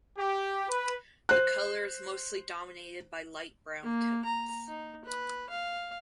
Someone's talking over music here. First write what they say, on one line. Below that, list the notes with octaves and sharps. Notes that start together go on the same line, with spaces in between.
The color is mostly dominated by light brown tones.
G4
B4
C5 F#6
A#3
A#5
D#4
B4
F5